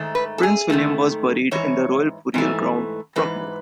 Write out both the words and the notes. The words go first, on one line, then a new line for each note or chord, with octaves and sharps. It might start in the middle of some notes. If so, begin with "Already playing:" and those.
Prince William was buried in the Royal Burial Ground, Frogmore.
Already playing: G#2 D#3 A3
B4
A4
G#4
G#2 D#3 A3
G#2 E3 C#5
G#2 E3 A3
G#2 E3 B4